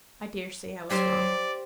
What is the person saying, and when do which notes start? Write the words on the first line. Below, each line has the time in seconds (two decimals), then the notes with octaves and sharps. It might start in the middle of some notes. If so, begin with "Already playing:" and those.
I dare say I was wrong.
0.90 F#3 G4 C5 D5